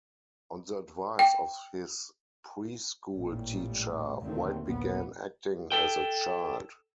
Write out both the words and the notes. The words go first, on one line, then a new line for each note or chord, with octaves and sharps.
On the advice of his preschool teacher, White began acting as a child.
G5
A1 A#2 G3
D#2 A#2 D3 D#3 A3 C4
A#1 D#2 B3
A4 G5